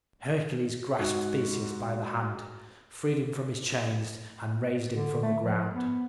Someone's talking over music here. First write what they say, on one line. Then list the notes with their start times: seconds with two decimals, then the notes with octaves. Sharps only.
Hercules grasped Theseus by the hand, freed him from his chains and raised him from the ground.
0.99 G#2 F#4
4.93 D3
5.23 A3
5.43 F3
5.73 B3